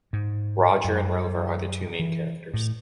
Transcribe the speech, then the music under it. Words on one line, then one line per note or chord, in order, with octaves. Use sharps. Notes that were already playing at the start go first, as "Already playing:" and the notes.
Roger and Rover are the two main characters.
G#2
F#2
E3
A2